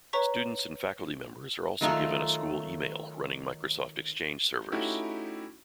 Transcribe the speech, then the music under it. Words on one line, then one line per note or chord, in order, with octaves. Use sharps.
Students and faculty members are also given a school email, running Microsoft Exchange Servers.
B4 C#5 A#5 C#6 B6
D#3 F#3 A3 D#4 F4
A3 C#4 D#4 E4 F#4 G4